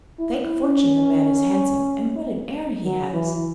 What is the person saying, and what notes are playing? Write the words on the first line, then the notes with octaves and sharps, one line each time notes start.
Thank fortune the man is handsome; and what an air he has!
E4
C#4
F#3
E3